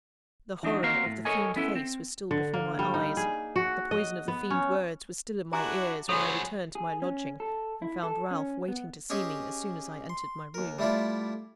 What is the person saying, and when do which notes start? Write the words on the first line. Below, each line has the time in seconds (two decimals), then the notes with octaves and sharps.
The horror of the fiend-face was still before my eyes, the poison of the fiend-words was still in my ears, when I returned to my lodging, and found Ralph waiting to see me as soon as I entered my room.
0.63 E3 D4 D#4 F#4
0.83 A#3 C4 F#4 A#4 F5
1.05 A2
1.25 A4 A#4 C#5 D#5 G#5
1.56 B3 C#4 E4 A4
1.75 C4
2.31 D3
2.54 A#3
2.79 G3
2.94 D#4
3.17 G#4
3.56 F#4
3.91 D#5
4.28 B3
4.50 C#4
5.53 D4 E4 F#4 G4 G#5 A#5
6.09 F#3 F#4 G#4 A4 C5 C#5 B5
6.75 G#4
7.02 C#4
7.40 A4
7.82 E4
8.03 A4
8.31 C#4
8.68 B3
9.10 C#4 G4 G#4 D#5 C#6
10.09 C6
10.54 D#2 A#4
10.78 G3 A3 E4 F4 D5